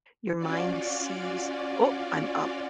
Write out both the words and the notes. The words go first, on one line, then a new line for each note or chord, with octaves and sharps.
your mind sees, "Oh, I'm up."
C#4 F4 F#4 D5